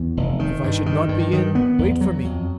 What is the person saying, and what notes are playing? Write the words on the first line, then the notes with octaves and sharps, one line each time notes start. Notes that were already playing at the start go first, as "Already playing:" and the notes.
"If I should not be in, wait for me."
Already playing: E2
F1
D#3
G2
D#3
G2
D#3
B3
E2
F#3
F2